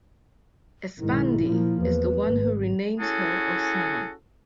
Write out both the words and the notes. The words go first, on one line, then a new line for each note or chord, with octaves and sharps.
Espandi is the one who renames her Osama.
B1 G#2 D#3 E4
A#2 F3 A#3
E2 B4
G#1
C#4 E4 F#4 G#4 A4